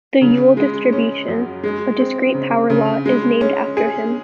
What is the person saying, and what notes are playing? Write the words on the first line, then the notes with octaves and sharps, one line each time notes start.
The Yule distribution, a discrete power law, is named after him.
C#3
G#3
C#4
F#2
G#3
C4
C#3
C#3
G#3
C#4
G#4